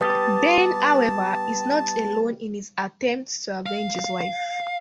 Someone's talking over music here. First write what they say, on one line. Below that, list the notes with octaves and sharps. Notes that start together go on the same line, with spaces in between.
Ben, however, is not alone in his attempts to avenge his wife.
G3 B3 G4 B4 A5 D#6 A6
F5